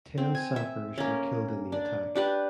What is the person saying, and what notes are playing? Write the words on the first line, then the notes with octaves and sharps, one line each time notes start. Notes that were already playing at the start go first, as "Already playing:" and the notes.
Ten Sappers were killed in the attack.
C4
G#5
E5
A#3 C#4
D4
D4 G4 B4